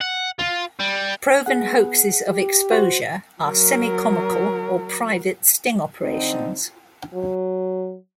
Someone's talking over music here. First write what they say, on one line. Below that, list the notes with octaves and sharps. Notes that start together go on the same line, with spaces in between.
"Proven hoaxes of exposure" are semi-comical or private sting operations.
F#5
F4
G3
B3 G#4 F#5
G4
F#4 C5
F#3 A#4
D3 C4 D#4
F#3